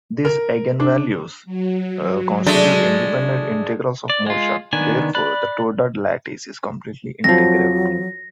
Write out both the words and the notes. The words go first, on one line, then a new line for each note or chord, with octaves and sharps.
These eigenvalues constitute independent integrals of motion, therefore the Toda lattice is completely integrable.
A#4
D4
F#3
G#3 A3 D4
D5
G#3 F4
D#3 B3 D4 G#5
D5 B5 F#6
F2 F3 F#3 A#6